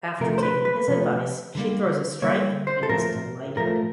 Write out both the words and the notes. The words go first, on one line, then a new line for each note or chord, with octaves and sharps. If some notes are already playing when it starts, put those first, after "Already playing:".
After taking his advice, she throws a strike and is delighted.
C3 F3 A3 A#4
C5
B4
B4
C3 F3 A3
D3 G3 A#3
D3 G3 A#3 C#5
C5
A4
A2 F3 A3 A#4
A2 F3 A3 A#4